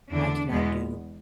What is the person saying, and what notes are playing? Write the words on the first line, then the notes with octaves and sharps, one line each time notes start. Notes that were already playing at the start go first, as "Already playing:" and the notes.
I cannot do
E2 D3 A3 D4
E2 B2 G#3 B3